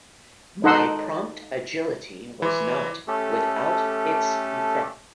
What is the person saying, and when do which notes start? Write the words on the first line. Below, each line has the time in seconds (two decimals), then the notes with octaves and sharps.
My prompt agility was not without its effect.
0.64 D#4 A4 D#5 F#5 C6 E6
2.42 E3 B5 C6 D6
3.08 A3 C#4 G4 A4